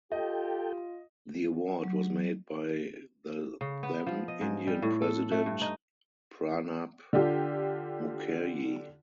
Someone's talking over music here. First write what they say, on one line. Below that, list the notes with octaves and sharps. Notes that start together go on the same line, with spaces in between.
The award was made by the then Indian President Pranab Mukherjee.
F4 G4 A4 D#5 G5
F#3
C#3
B3
F3
D#5
G#2
G3
A2
A4
A3
G2
D#4
D3 D4 F4 G4